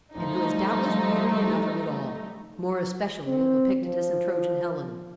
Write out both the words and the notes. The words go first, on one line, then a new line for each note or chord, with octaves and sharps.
"And who is doubtless weary enough of it all--more especially of Epictetus and Trojan Helen."
F3 G3 A3 D#4
C4
F3